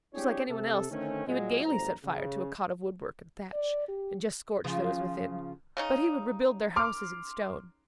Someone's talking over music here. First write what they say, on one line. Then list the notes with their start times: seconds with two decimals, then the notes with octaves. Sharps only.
Just like any one else, he would gaily set fire to a cot of woodwork and thatch, and just scorch those within; but he would rebuild their houses in stone.
0.14 C4 D4 E4 G4 G#4 C#5
0.48 C3 A4
0.90 D3 D#3 A3 C4 C#4
1.26 A#2 F#3 G#3
1.65 G1 D2 C5 A#5
2.03 C#3
3.53 D5
3.88 G4
4.64 C#3 F3
5.77 C#3 C#4 D#4
6.76 C6 D6 F6